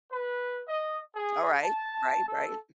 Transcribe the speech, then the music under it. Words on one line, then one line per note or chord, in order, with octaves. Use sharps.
Alright. Right, right.
B4
D#5
G#4
A5
A4